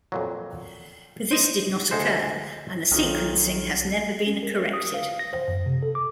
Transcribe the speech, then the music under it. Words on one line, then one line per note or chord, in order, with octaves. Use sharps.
But this did not occur, and the sequencing has never been corrected.
F2 A#2 F#3
C5 D#5
D2 G#3 A4 C5
B1 D#3 F3
C#4
A#4
D#6
F5
A#6
C5
F#2
C3
A4
D6